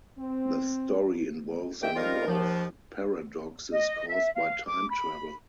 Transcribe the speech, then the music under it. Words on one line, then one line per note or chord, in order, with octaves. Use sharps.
The story involves a number of paradoxes caused by time travel.
C4
C2 G2 G#3 A#3 E5 G5
F3 G3 D#4 F4 A#4
D#2 F3
D#5
E5
F5
D6
B5